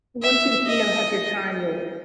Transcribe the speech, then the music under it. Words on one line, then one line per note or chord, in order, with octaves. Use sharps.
and once you you know, have your time, you'll
E5
D#5